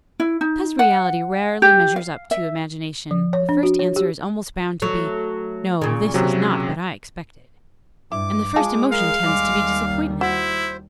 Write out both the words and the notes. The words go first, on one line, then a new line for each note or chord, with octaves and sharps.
Because reality rarely measures up to imagination, the first answer is almost bound to be, "No, this is not what I expected." And the first emotion tends to be disappointment.
E4
D#4
F#5
G4
F5
E5
F3
C#5
D4
F#4
C#5
G4
F#3 A3
A#2 C#3
C3 F#3
G2 E4 D6
G#3 F4 G#4 A5
A#4 F5
D#2 G3 G#3 D6
E4 F#4 C5